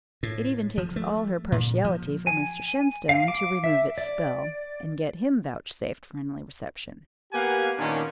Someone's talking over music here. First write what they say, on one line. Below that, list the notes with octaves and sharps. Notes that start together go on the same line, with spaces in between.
It even takes all her partiality for Mr Shenstone to remove its spell, and get him vouchsafed friendly reception.
A2
F3
A3
A#2
F3
G#5
F5
D6
E5
D5
A#3 B3 G4 F5 F#5 G#5
A#2 D#3 A#3 B3 C#4 D4